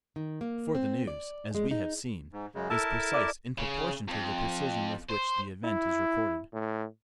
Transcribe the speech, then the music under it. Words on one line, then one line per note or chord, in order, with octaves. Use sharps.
For the news, as we have seen, is precise in proportion to the precision with which the event is recorded.
D#3
A#3
C4
D5
G#3
D#4
G#2
F#2 C#3 G#3
E4 A4 A#4 A5
D5
C#3
F2
C5
E4
A2